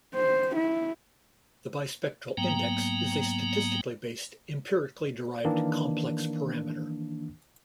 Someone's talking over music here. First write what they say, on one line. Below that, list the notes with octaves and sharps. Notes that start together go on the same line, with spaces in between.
The bispectral index is a statistically based, empirically derived complex parameter.
C5
E4
G#2 F#3 A#3 B3 G5 A#5
D#3 E3 A#3 D4